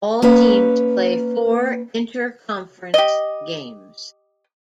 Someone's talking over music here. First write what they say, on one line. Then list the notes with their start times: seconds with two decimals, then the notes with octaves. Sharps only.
All teams play four interconference games.
0.22 A#3 C#4 B4
2.94 G4 D#5